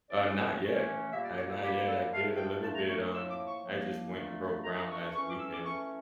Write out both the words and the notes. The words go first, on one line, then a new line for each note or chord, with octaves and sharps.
Uh, not yet. I not yet. I did a little bit. Um, I just went and broke ground last weekend.
C#3 E3 A3 C#4 D5
C#3 E3 A3 C#4
A#2 G3 A#3 E5
D5
C#5
A4
A#2 G3 A#3 G4
A4
A#2 A3 D4 F5
G5
A#2 A3 D4 A5
A#5
C#6
A2 F3 A#3 E6
D6
C#6
A2 F3 A#3
A#2 A3 D4
A#2 A3 D4 A#5
A#5
C#6
C#6
E3 A3 C#4 C#6
D6
E6
D6
E3 A3 C#4 C#6